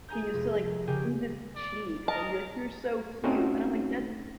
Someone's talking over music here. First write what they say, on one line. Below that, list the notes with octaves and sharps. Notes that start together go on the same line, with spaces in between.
He used to, like, squeeze its cheeks and be like, "You're so cute," and I'm like, "That
G#4 G#5 A#5 G6
F1
C#3 G4 A#4 G5 G#5
D5
A#4 D#5 A5
A3 C4 C#4 D#4 F#4